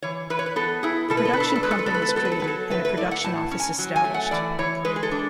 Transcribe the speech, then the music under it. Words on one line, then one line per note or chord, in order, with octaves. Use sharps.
The production company is created and a production office established.
E3 C#5
E3 B4
C#5
B4
B3 A4
E4 G#4
B2 A4
B4
A4
B4
D4 A4
B4
A4
G#3 B4
A4
B4
A4
B3 B4
A4
B4
F#3 A4
B4
A4
B4
F#3 A4
A3 B4
B4
E4 D5
F#5
A2 A5
C#4
G#5
F#3
G#5
A3
F#5
E3 D5
E3 C#5
G#3 B4
G#4
A4
D4